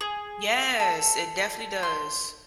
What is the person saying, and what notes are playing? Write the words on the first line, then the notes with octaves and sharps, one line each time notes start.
Yes, it definitely does.
G#4
A4
C6